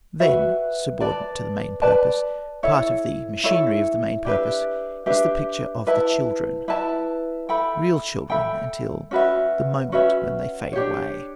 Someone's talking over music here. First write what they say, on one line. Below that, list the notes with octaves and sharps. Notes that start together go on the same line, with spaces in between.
Then, subordinate to the main purpose, part of the machinery of the main purpose, is the picture of the children--real children until the moment when they fade away.
F#4 B4 E5
B4 D5 A5
B4 D5 A5
E4 A4 C#5 E5
E4 A4 C#5 E5
D4 G4 B4 E5
D4 G4 B4 E5
E4 B4 E5 A5
E4 B4 E5 A5
A4 E5 G5 B5
A4 E5 G5 B5
C#4 F#4 B4 E5
C#4 F#4 B4 E5
D4 G4 C#5